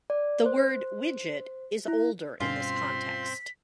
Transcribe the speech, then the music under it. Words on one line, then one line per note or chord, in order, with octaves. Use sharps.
The word "widget" is older in this context.
D5
C5
E4
G2 B2 C4 C#4 F4 C6 B6